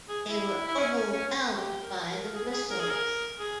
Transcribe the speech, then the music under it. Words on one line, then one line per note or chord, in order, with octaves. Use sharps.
They were overwhelmed by the whistles.
G#4
E4
E4
C#4
C#4
C#4
G4
A#4
A#4
G#4
G#4
A#4
G#4
A#4
G#4